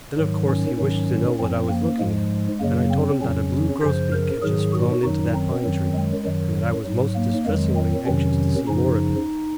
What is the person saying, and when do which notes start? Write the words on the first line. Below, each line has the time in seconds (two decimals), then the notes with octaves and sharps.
Then, of course, he wished to know what I was looking at, and I told him that a blue grosbeak had just flown into that pine-tree, and that I was most distressingly anxious to see more of him.
0.17 G#2 D#3 F#3
0.48 C#4
0.78 G#2 D#3 F#3
1.39 F#2 F3 C4
1.69 A#3
1.99 G#2 F3 G#3
2.60 F#2 C#3 F#3 A#3
2.91 C4
3.21 F2 C#3 F#3 C#4
3.81 F#2 C#3 F3 C5
4.12 A#4
4.42 G#2 D#3 F#3 G#4
4.73 F#4
5.03 F#2 D#3 F#3 D#4
5.34 C4
5.63 F#2 D#3 F#3
5.94 G#3
6.24 F#2 D#3 F#3
6.85 G#2 F#3
7.15 A#3
7.45 F2 D#3 F#3 G#3
7.76 C4
8.06 F2 C3 D#3 F#3 C#4
8.67 F#2 C#3 F3 D#4